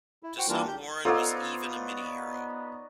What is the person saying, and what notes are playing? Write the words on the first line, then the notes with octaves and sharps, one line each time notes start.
To some Warren was even a mini-hero.
E4
F#4 C5 F#5 G5
E3 G3 A#3 D4 F4 A#4
G4 G6
B3 D#4 F4 A4 C#5 D5 F#5 E6